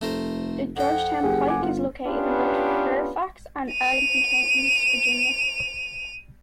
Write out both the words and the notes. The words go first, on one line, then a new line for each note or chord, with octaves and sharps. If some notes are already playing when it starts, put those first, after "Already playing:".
The Georgetown Pike is located in both Fairfax and Arlington Counties, Virginia.
F1 A3 A#4 C5
F2 F#5 G5
F#1 G4 G#4
G#5 D6
G1 F4
B3 C#4 D4 F4 G4 B4
D#7 F7